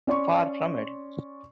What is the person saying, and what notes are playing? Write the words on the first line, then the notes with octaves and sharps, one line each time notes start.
Far from it.
C#4 D5 C6 C#6